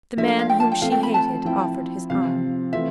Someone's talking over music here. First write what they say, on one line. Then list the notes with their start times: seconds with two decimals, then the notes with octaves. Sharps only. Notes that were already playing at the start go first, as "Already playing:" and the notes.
The man whom she hated offered his arm.
0.17 F3 A3 D4 F4 E5
0.28 F5
0.39 F5
0.50 G5
0.60 A5
0.72 G5
0.82 F3 A3 C4 F5
0.92 G5
1.03 B5
1.14 A5
1.45 F3 C4 E4 G5
2.10 C3 F3 C4 F5
2.73 E3 A3 C4 F4 E5